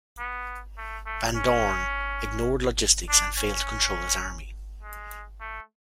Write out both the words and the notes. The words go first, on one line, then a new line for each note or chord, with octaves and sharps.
Van Dorn ignored logistics and failed to control his army.
B3
A3
A3
C#4
D4
C#4
G#3
A3